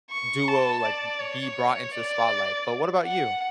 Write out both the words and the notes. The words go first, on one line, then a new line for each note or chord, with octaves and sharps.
duo, like, be brought into the spotlight. But what about you?
C#6
A5
D5
C#5
D5
F#5